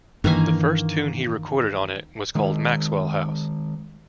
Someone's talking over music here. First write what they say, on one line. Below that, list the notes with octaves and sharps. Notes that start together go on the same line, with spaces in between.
The first tune he recorded on it was called Maxwell House.
G2 D#3 E3 A#3 G#5
D#3 G#3